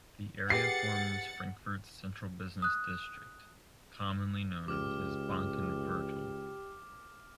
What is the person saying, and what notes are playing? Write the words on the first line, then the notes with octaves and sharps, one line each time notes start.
The area forms Frankfurt's central business district, commonly known as Bankenviertel.
G4 G#4 B4 F#5 A6 C7 C#7
D#6 F#6
C#2 G4 D6 F6